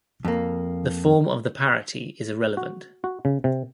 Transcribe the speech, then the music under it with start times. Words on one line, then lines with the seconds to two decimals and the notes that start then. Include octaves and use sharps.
The form of the parity is irrelevant.
0.25 F2 A#3
2.57 F#4
3.04 F#4
3.25 C#3
3.44 C3